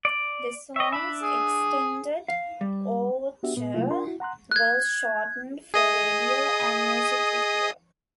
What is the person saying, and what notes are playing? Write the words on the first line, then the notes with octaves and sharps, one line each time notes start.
The song's extended overture was shortened for radio and music video.
D5
C#5 D#5 E5
D4 E5 B5
G#4
F5
G3
B3 D4 F#4 G4 E5
A#2 B3
C3 F#3 A3 A#3 E4 F4
D4 F4 A#4 C6
E4 F#4
F#5 A#5 C6 F#6
F#6 G#6
G#4 D#5 D#6